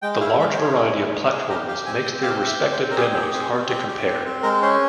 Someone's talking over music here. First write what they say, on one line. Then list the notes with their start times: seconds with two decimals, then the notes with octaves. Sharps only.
The large variety of platforms makes their respective demos hard to compare.
0.02 G#3 G5
0.20 E4 F5
0.39 G#3 E5
0.54 C5
0.57 G#4 C#5
0.76 G#3
0.94 E4
1.13 G#3
1.31 G#4
1.49 G4 A#4
1.68 G4 F5
1.86 C4 G#5
2.04 C4 G5
2.22 G4 F5
2.42 G4
2.47 E5
2.60 C4
2.72 C5
2.78 C4
2.90 A#4
2.97 G4 G#4
3.14 G4
3.33 C4
3.51 C4
3.69 G4
3.88 G4
4.06 C4
4.25 C4
4.43 G#3 A#4
4.62 C#4 C5